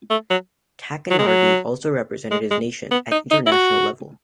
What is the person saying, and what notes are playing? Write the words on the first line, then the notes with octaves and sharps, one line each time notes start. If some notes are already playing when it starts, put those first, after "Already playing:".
Tacchinardi also represented his nation at international level.
A3
F#3
F#3
G#3
F#3
G#3
G#3
B3
D#4
D#4
E4
F#4